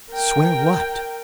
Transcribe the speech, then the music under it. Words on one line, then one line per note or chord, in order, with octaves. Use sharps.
"Swear what?"
A#4 G5